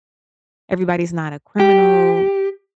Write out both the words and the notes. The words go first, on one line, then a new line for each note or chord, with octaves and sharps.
everybody's not a criminal.
G4